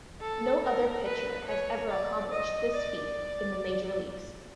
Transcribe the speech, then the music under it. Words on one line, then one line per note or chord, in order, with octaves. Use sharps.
No other pitcher has ever accomplished this feat in the major leagues.
A4
A#4
B4
C#5
D5
D#5
D5